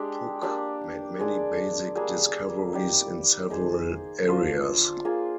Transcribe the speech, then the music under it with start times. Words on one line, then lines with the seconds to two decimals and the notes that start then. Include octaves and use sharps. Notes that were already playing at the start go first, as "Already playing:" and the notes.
Puck made many basic discoveries in several areas.
Already playing: G#3 D4 G4 D5
0.42 A#3 D4 G4 D5
1.19 G#3 D4 G#4 D5
1.95 G3 A#3 D4 G#4
2.73 D#4 G4 D5
3.50 D#4 G#4 C5
4.28 D4 F4 C5
5.05 A#3 F4 G#4